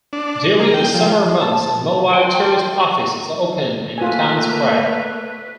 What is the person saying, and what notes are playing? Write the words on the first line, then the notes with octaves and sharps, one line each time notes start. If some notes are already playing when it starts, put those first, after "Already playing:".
During the summer months, a mobile tourist office is opened in the town square.
D4
A#3
G5
F3
A5
G5 C6
A3 A#3 F4 B4 G#5